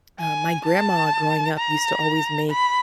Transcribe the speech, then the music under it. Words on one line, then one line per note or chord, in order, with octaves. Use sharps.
uh, my grandma growing up used to always make
G#5
A5
A#5
B5